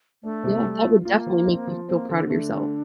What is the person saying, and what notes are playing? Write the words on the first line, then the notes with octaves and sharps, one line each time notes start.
Yeah, that would definitely make you feel proud of yourself.
A3 D4
C3
G3
F4
A#3 F4
F3
C4
F3
A#3 C4
D3
A3 D4
D3